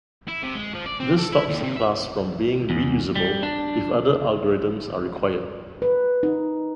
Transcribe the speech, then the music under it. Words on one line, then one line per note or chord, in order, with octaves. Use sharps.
This stops the class from being reusable if other algorithms are required.
E4
C3
G#3
F3
D5
C4
A4
E4
D#2
C3
E5
E2
G3
D4
B4
D#4